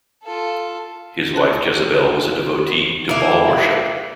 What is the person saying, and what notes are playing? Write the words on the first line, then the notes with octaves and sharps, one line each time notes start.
His wife Jezebel was a devotee to Baal worship.
F4 A4
C#4 C5 A5 F#6
A#3 E4